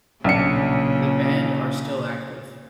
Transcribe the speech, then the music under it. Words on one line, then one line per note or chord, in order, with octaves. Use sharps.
The band are still active.
B1 A#2 C#3 D4 C#7